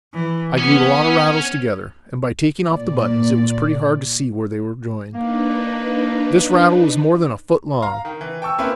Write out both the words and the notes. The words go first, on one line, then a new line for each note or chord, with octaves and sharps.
I glued a lot of rattles together, and by taking off the buttons it was pretty hard to see where they were joined. This rattle was more than a foot long.
E3
B3 C#4 C#5
A#2 D5
A#3 D4 D#4 B4
F5 A#5
D#3
E3
G5 A5 C#6 E6
A#3 C4 C#4 E4 B4